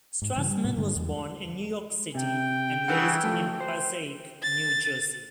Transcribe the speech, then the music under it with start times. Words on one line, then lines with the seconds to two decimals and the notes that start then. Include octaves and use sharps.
Strassman was born in New York City and raised in Passaic, New Jersey.
0.22 G#2
0.36 G2 C#3 E3
0.51 G3
0.64 A2 C3
0.77 G2 D3 G#3
0.96 E2
2.15 C3 G5
2.88 G2 C#3 E3 F#5
3.23 F#2 F3 A3
3.61 C5
4.43 A6